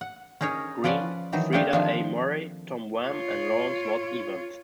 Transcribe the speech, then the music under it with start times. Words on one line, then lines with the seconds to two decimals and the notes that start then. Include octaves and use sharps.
Green, Frieda A. Murray, Tom Wham, and Lawrence Watt-Evans.
0.01 F#5
0.41 C#4 D#4 G#4 A#4 C#5
0.84 F3 C#4 B4 D5 F#5
1.32 D#3 E3 F#3 D#4
1.53 A3 A#3 C4 D4 G4 A4
1.73 D#3 F3 D4
3.04 F4 C#5